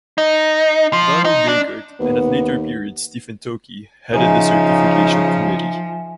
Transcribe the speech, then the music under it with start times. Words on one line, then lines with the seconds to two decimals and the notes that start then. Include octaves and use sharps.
Donald Bagert, and at later period Stephen Tockey headed the certification committee.
0.18 D#4
0.93 F3
1.25 D#4
1.48 D4
2.00 D#2 B3
4.14 C#3 F3 D#4 E5 G#5